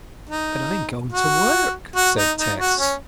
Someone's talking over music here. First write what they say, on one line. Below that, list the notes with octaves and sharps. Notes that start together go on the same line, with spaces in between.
"But I am going to work!" said Tess.
D#4
F#4
F#4
D#4
D#4
F#4
C#4